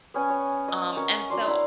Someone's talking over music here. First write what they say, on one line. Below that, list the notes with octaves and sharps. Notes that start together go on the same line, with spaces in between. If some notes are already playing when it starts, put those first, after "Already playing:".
um, and so
B3 C#4 G#5
C#5
D#5
C#4 A#4 C#5 F#5
F#3 D4 C6
E4 F5